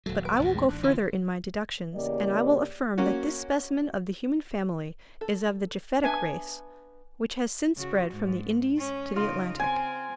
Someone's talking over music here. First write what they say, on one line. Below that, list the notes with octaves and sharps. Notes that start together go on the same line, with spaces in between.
But I will go further in my deductions, and I will affirm that this specimen of the human family is of the Japhetic race, which has since spread from the Indies to the Atlantic.
D#1 F#3 A3
B4 D7
A#1 E2 G2
G#3 A3 C4
A1 G#2 D4 F#6
D3 E3 C#4 E4 F4
E2 C#3 A#3 G4 D5 D#5
A#3 C#4 F#4
A4
B3 D4 E5 G#5
C#3 F#4
G#2
C#4
C#3 D#4 F4
C4 G#5